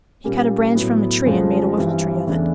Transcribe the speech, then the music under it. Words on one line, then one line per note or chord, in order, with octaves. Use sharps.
He cut a branch from a tree and made a whiffle-tree of it.
A#2 G3 A#3 C#4
A2 F#3 B3
F2 C#3 F3 G#3
G2 E3 G3 C4
E2 C#3 E3 A3 D4